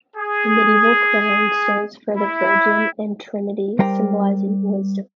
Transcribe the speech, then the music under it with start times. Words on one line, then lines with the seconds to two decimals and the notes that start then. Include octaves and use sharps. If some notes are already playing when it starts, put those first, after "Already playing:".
The medieval crown stands for the Virgin and Trinity, symbolizing wisdom.
0.16 G#4
2.16 E4
3.79 G3 A#4 C5 D5 G5 A#5